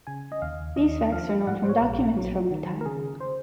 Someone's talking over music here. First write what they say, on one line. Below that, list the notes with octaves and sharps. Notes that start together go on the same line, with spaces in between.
These facts are known from documents from the time.
C#3 G#5
D#5
D#2 F5
D#2 D#5
F3 F5
G#2 F#5
C5
C#5
A#1
F#3
D#3
A#4
C#3 G#4
C5